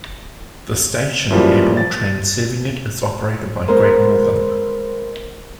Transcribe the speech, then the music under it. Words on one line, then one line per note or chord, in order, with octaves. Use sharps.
The station, and all trains serving it, is operated by Great Northern.
F#2 E3 F3 G3 A#3
A6
G#3 B3 A#4 C5